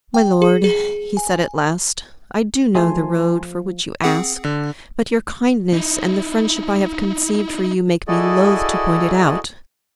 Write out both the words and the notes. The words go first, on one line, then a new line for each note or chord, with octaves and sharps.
"My lord," he said at last, "I do know the road for which you ask, but your kindness and the friendship I have conceived for you make me loth to point it out."
G5
G#4
G#4
G#5
F3 A3 E4 G#4 G#5 A5 C6
C4 G#4 F#5
D3
D#4 E4
E4 F#4 G#4 A4 D5 D#5